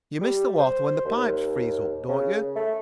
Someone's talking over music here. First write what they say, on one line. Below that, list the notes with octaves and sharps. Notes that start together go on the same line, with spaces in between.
You miss the water when the pipes freeze up, don't you?
G3
C5
D#2
C#3
A3